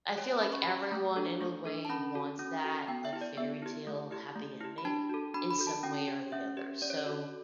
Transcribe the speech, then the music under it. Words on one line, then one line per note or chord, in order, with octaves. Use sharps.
I feel like everyone, in a way, wants that, like, fairytale happy ending, in some way or the other, so,
G4 C#5
C#4 B5
C#6
G4 B5
A3
D4 A4
A3 C#6
D4 A4
A5
C#4 B5
F#4 A4
C#4
F#4 A4
B3 G5
E5
E4 G4
D5
B3 E5
E4 G4
A3
E4 G4
A3
E4 G4
B5
D4 A5
F#4 A4
D4 B5
B5
F#4 A4
A5
C#4 G5
G4
C#4 E5
G4
C#4 D5
C#5
D5
F#4 A4